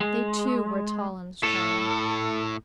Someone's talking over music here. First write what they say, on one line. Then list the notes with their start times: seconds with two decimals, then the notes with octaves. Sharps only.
They, too, were tall and strong.
0.01 G#3
1.43 A2 A4